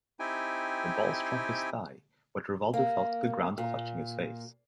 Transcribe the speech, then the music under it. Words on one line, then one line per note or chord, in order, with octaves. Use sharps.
The ball struck his thigh, but Rivaldo fell to the ground clutching his face.
C4 D#4 E4 G4 G5 G#5
A#3
A#2